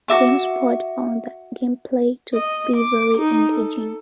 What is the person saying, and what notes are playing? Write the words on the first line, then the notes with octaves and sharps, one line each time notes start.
GameSpot found the gameplay to be very engaging.
F#4 A#4 E5 D6
D#5
D6
D#4
A4